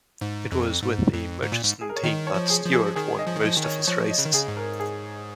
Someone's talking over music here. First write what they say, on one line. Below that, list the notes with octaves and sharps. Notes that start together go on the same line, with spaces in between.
It was with the Merchiston team that Stewart won most of his races.
G#2
F2
G#2
F2
G#2
A#2
G#2
G#4
A#4
C#5
D#3 D#5
C#5
F3
G#4
F3
G#4
D#3 G#4
D#5
F3
D#3
F3 D#5
D#3
C#5
F3 C#5
D#5
C#3
D#3
C#3 G#4
G#2
A#4
G#4